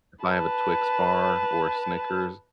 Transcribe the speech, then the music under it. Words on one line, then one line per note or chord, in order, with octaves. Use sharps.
if I have a Twix bar or Snickers
B4 A5